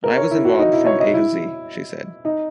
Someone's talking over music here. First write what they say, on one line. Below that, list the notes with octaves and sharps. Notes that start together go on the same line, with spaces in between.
"I was involved from A-Z," she said.
A#4
C#5
E4
F#4
D#4
E4
C#5
D#5
E4
D#4